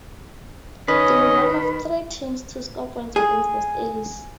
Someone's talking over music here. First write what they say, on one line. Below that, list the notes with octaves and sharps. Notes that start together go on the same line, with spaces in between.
They were one of three teams to score points against the Staleys.
D#3 C#4 B4 D#5
G#4